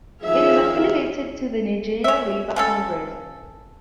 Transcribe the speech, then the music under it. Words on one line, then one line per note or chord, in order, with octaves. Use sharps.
It is affiliated to the Nigeria Labour Congress.
D#3 F3 G#4 E5 F5
C#5 E5
C#3 C#4 A4